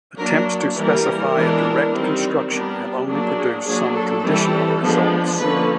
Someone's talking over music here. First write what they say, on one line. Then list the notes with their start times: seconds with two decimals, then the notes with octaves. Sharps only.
Attempts to specify a direct construction have only produced some conditional results.
0.17 F#3 A#3 D4 A#4
0.74 E3 G3 A#3 A#4
1.33 E3 G#3 B3 D4
1.92 D#3 G3 C4
2.49 G3 B3 D4 A#4
3.06 F#3 A#3 D4 G#4
3.36 G#4
3.65 F#3 A#3 D4 G#4
3.93 A4
4.23 E3 G3 C4
4.81 F3 G#3 B3 D4
5.38 D3 F3 A#3 C#4 B4